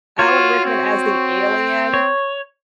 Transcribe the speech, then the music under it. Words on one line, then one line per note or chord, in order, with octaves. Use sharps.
Alan Rickman as the alien,
F4 F#4 C#5
C4
C#5